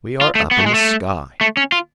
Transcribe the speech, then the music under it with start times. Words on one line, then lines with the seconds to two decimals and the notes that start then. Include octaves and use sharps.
We are up in the sky.
0.21 F4
0.35 A3
0.51 B3
0.58 A3
0.66 G#3
0.74 A3
1.41 A3
1.57 C#4
1.72 F4